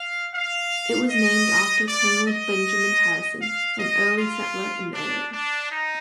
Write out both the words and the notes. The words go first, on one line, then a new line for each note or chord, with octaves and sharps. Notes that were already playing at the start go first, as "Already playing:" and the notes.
It was named after Colonel Benjamin Harrison, an early settler in the area.
Already playing: F5
F5
D#5
D5
D#5
F5
D#5
F4
D4
D4
D#4